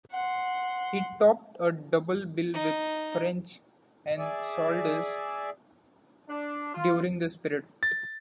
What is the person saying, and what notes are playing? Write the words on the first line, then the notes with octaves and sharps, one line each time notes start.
He topped a double bill with French and Saunders during this period.
F#5 C6
D#4
G#4 D5 E5
D4
F4
A6